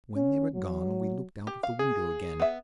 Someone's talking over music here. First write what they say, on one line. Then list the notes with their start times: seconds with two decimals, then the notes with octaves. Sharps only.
When they were gone we looked out of the window again.
0.16 C#4
0.55 F#3
1.47 G4
1.63 F5
1.79 G#4
2.40 B3 E5